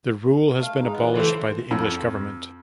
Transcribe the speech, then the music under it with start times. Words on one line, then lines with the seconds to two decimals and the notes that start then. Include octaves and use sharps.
The rule has been abolished by the English Government.
0.60 A3 F5
0.78 G#3 D#4
0.95 E3 F#3 B3
1.15 G#2 E3 A3 F4 A4 C5
1.71 F2